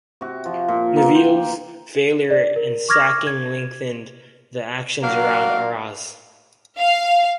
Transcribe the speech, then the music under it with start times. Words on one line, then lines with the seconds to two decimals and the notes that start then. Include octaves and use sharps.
Nivelle's failure and sacking lengthened the actions around Arras.
0.21 C3 F#4
0.45 F3
0.68 A#2
0.96 A#3 B3 A#4
1.15 G5 C6
2.30 D5
2.56 A#4
2.89 C#6 D6 F6 G#6 A#6
3.27 G#6
5.03 F#3 A#3 D4 F#4 A#4 F5
6.78 F5